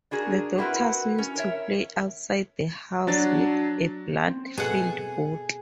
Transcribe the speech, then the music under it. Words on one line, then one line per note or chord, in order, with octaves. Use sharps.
The daughters used to play outside the house with a blood filled bottle.
D4 F#4 G#4 A#4
C4 E4 F#4 G#4 A#4 B4
C#4
A#4 C#5 E5
F#3 D4 A6
C4
B2 G#4 A4 F#5 G#5